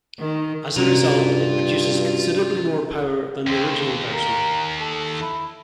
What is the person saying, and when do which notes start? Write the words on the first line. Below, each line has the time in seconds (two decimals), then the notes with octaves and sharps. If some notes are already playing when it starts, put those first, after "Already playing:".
As a result, it produces considerably more power than the original version.
0.20 D#3
0.77 G2 C3 C#4 F4 F#4 A#5
3.47 D#2 C4
4.12 A#4
4.81 A4
5.21 E4